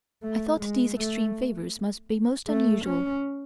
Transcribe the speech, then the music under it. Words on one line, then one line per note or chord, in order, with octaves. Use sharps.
I thought these extreme favors must be most unusual.
A3
G#3
A3
A3
C#4